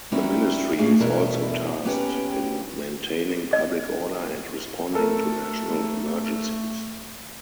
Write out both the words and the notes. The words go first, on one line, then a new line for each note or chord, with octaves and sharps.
The ministry is also tasked in maintaining public order and responding to national emergencies.
G3 A#3 C#4 E4 F#4
A2 A3 D4 G#4 F5
E2 G2 B2 E4 A4 A#4
A#3 B3 C#4 G4 B4 C#5
D#5
A3 A4 A#4